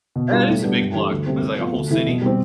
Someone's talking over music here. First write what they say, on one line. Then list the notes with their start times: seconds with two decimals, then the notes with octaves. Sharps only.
That is a big block, it's like a whole city.
0.16 B2
0.31 G3 D4 F4
0.47 A2
0.63 G3 B3 D4 G4
0.79 G2
0.95 E3 A3 D4 G4
1.11 D2
1.26 C3 G3 C4
1.42 A2
1.58 F3 B3 F4
1.74 D2
1.90 C3 E3 A3 E4
2.06 B2
2.22 G3 C4